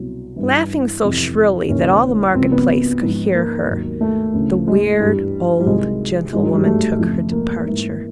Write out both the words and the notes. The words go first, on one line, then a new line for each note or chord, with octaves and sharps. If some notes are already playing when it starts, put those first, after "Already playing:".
Laughing so shrilly that all the market-place could hear her, the weird old gentlewoman took her departure.
Already playing: C2 B2 F#3
G2 E3
F2 C3 E3
D#2 C#3 E3 C#4
C#2 C#3 F#3 C4
B3
G#2 F3
A#3
D#2 D#3 F#3
A3
D2 C#3 E3
G#3
G2 E3 G3
G3
C2 C3 D#3 F#3 G#3
G2 D#3 F#3 G#3
F#3
G3
A3
F2 C#3 F3
A#3
G#2 E3